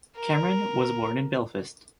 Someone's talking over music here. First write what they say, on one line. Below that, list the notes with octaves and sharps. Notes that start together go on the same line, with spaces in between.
Cameron was born in Belfast.
A#4